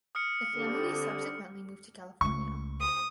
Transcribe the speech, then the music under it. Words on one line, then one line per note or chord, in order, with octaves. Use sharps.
The family subsequently moved to California.
D#6 F6 C#7
D3 G3 C4
C#2 A3 C#6
D#6